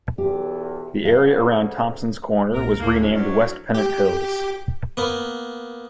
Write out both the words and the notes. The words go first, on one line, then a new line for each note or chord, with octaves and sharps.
The area around Thompsons Corner was renamed West Pennant Hills.
B1 E2 G4
D2 C#3 F5
A#1 A#2 A#3 A#4
D2 A2 A3 A#3 E4
F#3 G#3 C#4
F#3 C#4 D4 E4 C5 D5
G4
A#3 B3